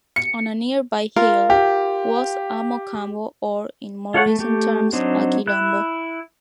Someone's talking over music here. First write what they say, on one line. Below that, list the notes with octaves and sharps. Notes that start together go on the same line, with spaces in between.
On a nearby hill was a mocambo or, in more recent terms, a quilombo.
C#7
F4 A#4 F5
G4
F4 A4 C#5 F5 F#5
A3
A3 G4
F#3 C4 D4 D#4
E4 F#6